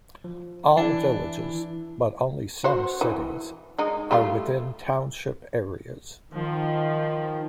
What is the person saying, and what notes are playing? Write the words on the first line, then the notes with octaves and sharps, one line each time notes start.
All villages, but only some cities, are within township areas.
F3
E3 D4 E4 A5
F#4 C5
E3
G#3 D#4
G3 A3 F4
D#3 F3